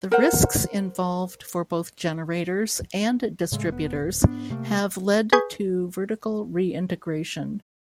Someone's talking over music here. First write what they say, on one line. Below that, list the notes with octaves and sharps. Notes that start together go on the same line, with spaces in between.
The risks involved for both generators and distributors have led to vertical re-integration.
A#4 C5 F#5
A2 C#3 G#3 A3
F1 B3
D1
G#2 B3 D4
C3 A3 A#3
G#4 B4 G#5 C#6 D#6 G6